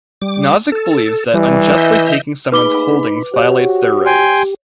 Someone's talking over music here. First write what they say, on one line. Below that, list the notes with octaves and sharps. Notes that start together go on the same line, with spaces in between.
Nozick believes that unjustly taking someone's holdings violates their rights.
G3 D6
A4
E3 G3
D#5 E5 G6
A3 A#3 D#4 G#4 B4 B5 D6 G7
F#4 G4 C5 C#5
G5 G#5 C6